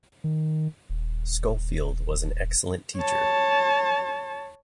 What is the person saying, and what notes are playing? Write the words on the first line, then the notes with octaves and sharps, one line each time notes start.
Scholefield was an excellent teacher.
D#3
D#1
C#5 A5